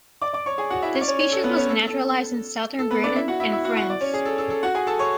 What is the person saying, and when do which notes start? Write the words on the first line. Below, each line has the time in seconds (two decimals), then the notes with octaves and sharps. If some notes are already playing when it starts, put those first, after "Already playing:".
The species was naturalized in Southern Britain and France.
0.22 D5 D6
0.33 D5 D6
0.46 C#5 C#6
0.58 G#4 G#5
0.70 F#4 F#5
0.83 E4 E5
0.95 C#4 C#5
1.01 D5
1.08 C#4 C#5
1.20 C#4 C#5
1.32 A4
1.44 B3 B4
1.56 C#4 C#5
1.69 A4
1.87 A4
2.79 A4
2.91 B3 B4
3.04 D4 D5
3.16 E4 E5
3.28 F#4 F#5
3.40 E4 E5
3.52 E4 E5
3.65 F#4 F#5
3.76 F#4 F#5
3.90 D5
4.01 C#4 C#5
4.14 G#4
4.25 A4
4.38 A4
4.50 A4
4.63 F#4 F#5
4.75 G#4 G#5
4.87 A4 A5
4.99 C#5 C#6